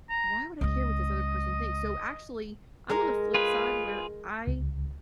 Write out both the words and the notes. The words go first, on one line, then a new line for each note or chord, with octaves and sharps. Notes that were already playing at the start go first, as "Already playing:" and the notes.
why would I care what this other person thinks? So, actually, I'm on the flip side where I
A#5
C#2 G#3 D#5
G#3 A#4 A#5
F4 G#4 B4
C#2